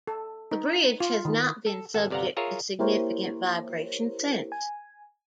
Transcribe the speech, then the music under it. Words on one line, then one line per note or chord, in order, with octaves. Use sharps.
The bridge has not been subject to significant vibration since.
A4
D#4
F4
D#3
A4
G#1 A4 F#5
G1 C3 D5 F5 F#5 A#5
F4 G#4 A#4 C#5 E5
A#3 E4 G4 A#4 C5 C#5
G#5